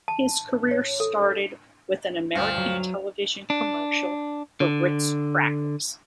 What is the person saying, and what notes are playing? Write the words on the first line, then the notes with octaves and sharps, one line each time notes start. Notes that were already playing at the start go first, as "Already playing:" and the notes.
His career started with an American television commercial for Ritz Crackers.
A5
C#5
A4
D2 G2 F3 F5
F#3
D4
D3